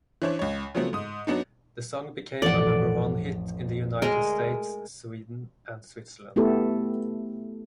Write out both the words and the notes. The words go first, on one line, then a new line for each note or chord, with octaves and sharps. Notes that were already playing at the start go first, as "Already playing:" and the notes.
The song became a number-one hit in the United States, Sweden and Switzerland.
E3 C#4 D4 C5 C#5
C#2 C#5
C#3 F3 F#3 A3 B3 C4
G#2 D#6
F#3 B3 D4 D#4
A1 F2 A4 D5 F#5
D2 G#3 A#4
A3 B3 E4 G4 A4